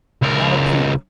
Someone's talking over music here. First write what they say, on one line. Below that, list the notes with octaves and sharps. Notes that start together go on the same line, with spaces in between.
Not a peep.
C#2 A#4